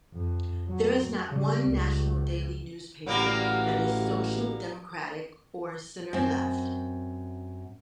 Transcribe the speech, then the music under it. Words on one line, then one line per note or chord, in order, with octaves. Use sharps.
There is not one national daily newspaper that is Social democratic or centre-left.
F2
F#3
C#3 G3
C#2
A1 F#3 G3 A#3
F#2 C4